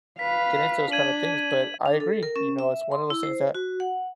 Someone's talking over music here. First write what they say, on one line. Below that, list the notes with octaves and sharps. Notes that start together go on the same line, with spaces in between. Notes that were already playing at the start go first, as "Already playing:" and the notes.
get into those kind of things, but I agree, you know, it's one of those things that
B4 F5 B6
D4 G#6 D#7 F#7
D4
A4
A#4
C#4
E5
C6
E4
C5
F#4
F#5